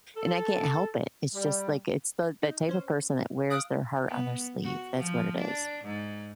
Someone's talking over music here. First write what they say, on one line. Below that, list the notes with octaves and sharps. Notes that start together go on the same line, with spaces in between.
and I can't help it. It's just, like, it's the the type of person that wears their heart on their sleeve. That's what it is.
A4
G3
D#4
C#4 C5
F5 D#6 F#6 D7
B3
F#4
F3
D4
G#2